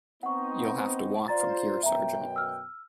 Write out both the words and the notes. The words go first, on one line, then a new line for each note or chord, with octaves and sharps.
You'll have to walk from here, sergeant.
B3 C4 D#4 F#5 C#6
F4 C5 D5 A#5 A6
F#2 B2 E5 G5 A#5
E6 F6